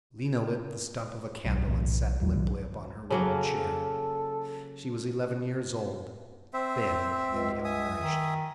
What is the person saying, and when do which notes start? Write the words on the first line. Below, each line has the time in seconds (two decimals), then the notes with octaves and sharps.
Lena lit the stump of a candle and sat limply upon her wooden chair. She was eleven years old, thin and ill-nourished.
1.45 D1 B1
1.68 B1 A2 E3 A3
2.21 G1 D#2 F#3
2.34 B1 D#3 F#3
3.10 C#3 F#3 A#3 A4
6.53 C4 C5 E5
7.29 C#2
7.65 E5 G#5 D#6
8.00 D#3